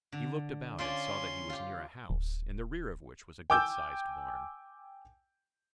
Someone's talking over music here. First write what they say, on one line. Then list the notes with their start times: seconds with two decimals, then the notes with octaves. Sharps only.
He looked about, and saw that he was near a house, in the rear of which was a good-sized barn.
0.12 D3
0.79 C#4 F4 C5 D5 C6
1.50 F4 G4
2.10 D1
3.50 G5 G#5 D6 E6 G6